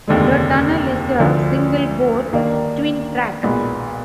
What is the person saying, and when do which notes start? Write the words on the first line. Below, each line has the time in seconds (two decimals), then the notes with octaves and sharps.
The tunnel is a single bore twin track.
0.07 F1 D#2 D3 G#3
1.20 D2 D3 F3
2.32 D#2 D#3 A#3 D4
3.43 B1 A#2 G#3 B3